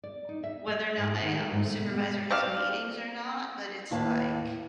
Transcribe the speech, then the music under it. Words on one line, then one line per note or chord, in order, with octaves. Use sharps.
whether or not my, um, supervisor has meetings or not, but it's like
D5
D#4
E5
A3
G#2
D#3
A3
G#2
A3
B2
G#3
C4 D5 F5
D#2 A2 E4 B4 F5 A5